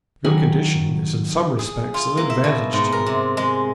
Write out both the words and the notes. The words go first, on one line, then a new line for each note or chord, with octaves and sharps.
Your condition is in some respects an advantage to you.
D#3 F#3 G#5 B5
G#4
F4
A#3
E5
B2
G#2
A#4
C3
G#3